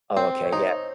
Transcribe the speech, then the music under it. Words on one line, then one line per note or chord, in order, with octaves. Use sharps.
Oh, okay, yeah,
C4 C5
C#5
D#4 C5